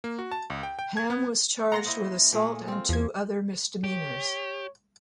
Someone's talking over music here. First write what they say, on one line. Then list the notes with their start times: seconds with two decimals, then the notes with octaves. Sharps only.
Hamm was charged with assault and two other misdemeanors.
0.04 A#3
0.19 F#4
0.31 A5
0.50 C#2
0.63 G5
0.79 G5
0.97 G#6
1.10 B3
1.72 A#3 F#5 A#5 C6 A#6
1.86 E4 C5 D#5
2.33 A#2 A3 G#4
2.68 C4 F4
2.89 E2 F3 G#6
3.84 G4 C#5